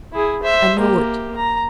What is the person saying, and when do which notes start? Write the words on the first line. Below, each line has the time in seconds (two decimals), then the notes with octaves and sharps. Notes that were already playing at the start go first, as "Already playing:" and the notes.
I know it.
0.13 E4 G#4
0.42 C5 E5
0.79 A#3 G4
1.36 A#5